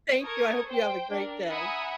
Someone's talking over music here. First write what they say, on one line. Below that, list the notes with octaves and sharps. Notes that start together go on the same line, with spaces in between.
thank you, I hope you have a great day.
A4 A#4 C#6 D#6 G#6
C5 G5
D4 A#4
E5 F#5 G#5 A#5 B5 D#6